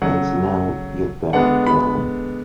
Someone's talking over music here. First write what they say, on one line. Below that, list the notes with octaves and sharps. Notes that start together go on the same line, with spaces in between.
And now you’d better go!
C#3 F#3 A3 F#5
D3 G#3 B3 D4 F#5
B5